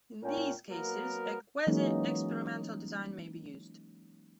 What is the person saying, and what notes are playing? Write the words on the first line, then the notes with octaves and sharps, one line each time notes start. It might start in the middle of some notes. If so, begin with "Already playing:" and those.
In these cases, a quasi-experimental design may be used.
A#2 C#4 A#4 G5
F#3 A#3 B3 A#4
E3 F#3 G#3 A#3 C#4 D#4